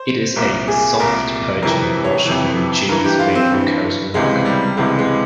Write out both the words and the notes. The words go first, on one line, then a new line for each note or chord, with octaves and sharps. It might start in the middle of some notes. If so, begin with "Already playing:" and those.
It is a soft, pungent, washed rind cheese made from cow's milk.
Already playing: C5
C2 A#2 A#4
G#4
C2 A#2 A#4
F2 C3 E3 A#4
C#5
F2 C3 E3
G2 E3 A#4
G4
F4
C4
G2 E3
C#2 C3 E3 G#3
G3
C#2 C3 E3 G#3
G#3